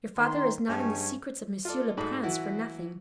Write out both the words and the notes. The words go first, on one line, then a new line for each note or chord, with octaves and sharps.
"Your father is not in the secrets of monsieur le prince for nothing."
D#3 C6
G2 G#3 C#4 C#5 G#5
F4 A4 D5
G#2 F#3 A3 G#4 D5 B5
E3 F#3 E4 F#4